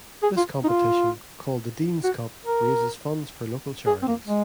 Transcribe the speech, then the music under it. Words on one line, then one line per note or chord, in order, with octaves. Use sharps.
This competition, called the Dean's Cup, raises funds for local charities.
G#4
F4
D#4
F4
F#4
A#4
G#4
C4
A#3
G#3